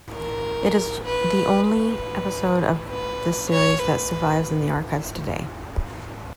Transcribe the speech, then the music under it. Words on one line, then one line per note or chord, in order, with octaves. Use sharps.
It is the only episode of this series that survives in the archives today.
A#4
B4
B4
B4
C#5
B4